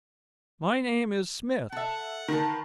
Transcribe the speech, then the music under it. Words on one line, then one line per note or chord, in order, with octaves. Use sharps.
"My name is Smith."
A4 E5 F#5
D#3 A#4 B4 A5